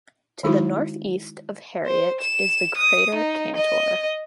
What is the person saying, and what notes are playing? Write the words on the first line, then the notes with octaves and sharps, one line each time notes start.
To the northeast of Harriot is the crater Cantor.
D#3 G#3 D#4 E4 F#4
C5
E7
D#6
D#4
D#5